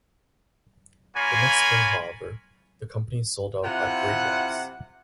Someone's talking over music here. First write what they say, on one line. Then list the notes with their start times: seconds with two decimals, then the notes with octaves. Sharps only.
The next spring, however, the company sold out at great loss.
1.16 A#3 F4 A#4 C#5 G#5 B5
3.64 C3 E4 F4 F#5